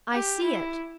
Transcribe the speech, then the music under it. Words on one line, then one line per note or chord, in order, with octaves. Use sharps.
I see it!
G4
E4